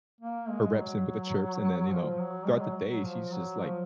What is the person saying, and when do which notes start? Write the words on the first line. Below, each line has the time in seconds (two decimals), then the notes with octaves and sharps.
her reps in with the chirps, and then, you know, throughout the day, she's just, like,
0.21 A#3
0.50 G#3
0.77 F#3
1.91 F3
2.19 F#3
2.47 G#3
2.60 F#3
2.90 F#3
3.03 F3
3.31 F#3
3.60 F3